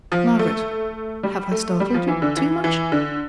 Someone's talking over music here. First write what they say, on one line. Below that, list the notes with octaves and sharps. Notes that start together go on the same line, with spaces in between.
Margaret, have I startled you too much?
F3
A3
G3
A3
G3
F3
E3
D3
E3
E3
D3